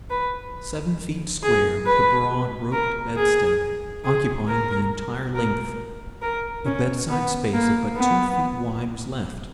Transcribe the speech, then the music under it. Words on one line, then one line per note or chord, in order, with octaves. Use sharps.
Seven feet square, with a broad, roped bedstead occupying the entire length, a bedside space of but two feet wide was left.
B4
G#4
B4
A#4
G#4
G#4
A#4
A#4
A#4
C#4
B3
A#3
B3